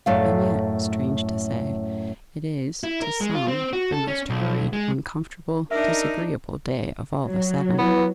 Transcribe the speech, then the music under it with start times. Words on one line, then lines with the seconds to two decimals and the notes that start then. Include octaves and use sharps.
And yet, strange to say, it is, to some, the most hurried, uncomfortable, disagreeable day of all the seven.
0.06 F#2 A2 A3 D5 F5
2.84 E4
3.02 A#4
3.21 G#3
3.34 F4
3.48 C4
3.73 F#4
3.92 A4
4.08 C#4
4.30 B1
4.73 G#3
5.71 D4 D#4 A#4 E5
7.26 F#3
7.78 B3 E4 B4